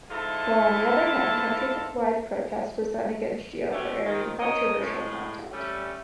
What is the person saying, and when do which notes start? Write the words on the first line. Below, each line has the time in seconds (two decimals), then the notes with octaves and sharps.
While on other hand countrywide protest was done against Geo for airing controversial content.
0.11 G#2 E4 F4 A4 A5
3.73 F#3 G#3 A3 B3 C#4 G4
4.06 D#3 F3
4.40 A#4 C#5 D#5
4.79 A2 G#3
5.52 G3 A3 C#4